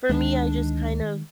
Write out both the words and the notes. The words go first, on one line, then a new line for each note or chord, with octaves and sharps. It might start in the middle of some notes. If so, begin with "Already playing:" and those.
for me, I just kind of
D2 D#3 G#3 D4